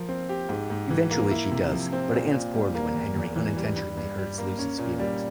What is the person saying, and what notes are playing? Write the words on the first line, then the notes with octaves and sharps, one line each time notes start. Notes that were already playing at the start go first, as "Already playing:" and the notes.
Eventually she does, but it ends poorly when Henry unintentionally hurts Lucy's feelings.
Already playing: F3 A#4
C4
G4
G#2
G#2
E3
A#3
E4
C3
F3
C4
A#2
A#2
G3
A#3
E2
E2
E3
G3
G2
G2
G3
A#3
C#4
A#2
G3